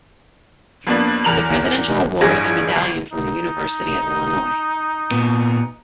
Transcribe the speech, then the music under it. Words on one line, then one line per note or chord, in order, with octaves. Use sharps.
The Presidential Award and Medallion from the University of Illinois.
F2 A#3 B3 D4
E2 A#4 F7 F#7
A1 G2 G#4 A#6
G1
D#4
A#2 B3